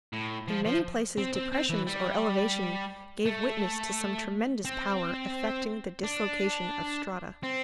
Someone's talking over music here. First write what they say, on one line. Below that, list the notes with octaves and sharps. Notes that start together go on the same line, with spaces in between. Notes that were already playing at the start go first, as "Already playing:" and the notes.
In many places depressions or elevations gave witness to some tremendous power effecting the dislocation of strata.
A2
F3
F3
C4
C4
C4
E3
G3
A3
C4
D4
C4